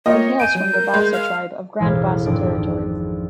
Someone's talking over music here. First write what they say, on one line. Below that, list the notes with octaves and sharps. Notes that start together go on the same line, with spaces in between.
He hails from the Bassa Tribe of Grand Bassa territory.
A#3 F4 C#5 D#5 G5
G#5 G6 D7 D#7
F#3 G6
A#4
G#3
F5
E1 A1 E4 F5 G#6
D#1 G#1 F2 D4 A5
D4